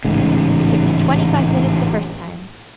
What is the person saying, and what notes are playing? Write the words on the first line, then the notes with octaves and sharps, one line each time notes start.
It took me twenty-five minutes the first time.
A1 G#2 C#3